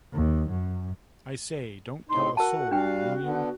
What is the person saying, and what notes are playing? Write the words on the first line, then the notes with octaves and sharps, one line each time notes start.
I say, don't tell a soul, will you?
D#2
F#2
A2 C3 D#4 C6
F#4 A#4 F#5 A5
G3 D4 F5 G5
D3 B3